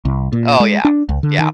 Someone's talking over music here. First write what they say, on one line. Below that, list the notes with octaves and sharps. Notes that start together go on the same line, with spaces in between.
Oh, yeah. Yeah.
C2
A#2
G#3
D4
C#2
D3
D#3